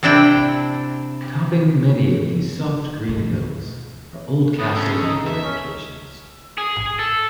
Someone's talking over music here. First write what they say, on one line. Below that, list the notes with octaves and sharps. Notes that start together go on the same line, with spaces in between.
Topping many of these soft, green hills are old castles and fortifications.
C3 C4 D4 E4 G5
B2
A#2 F3 B3
C#3 C#4 A4
D#4
E5
C#4
G#4
A4